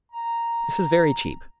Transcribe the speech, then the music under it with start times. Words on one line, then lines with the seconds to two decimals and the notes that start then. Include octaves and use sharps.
This is very cheap.
0.12 A#5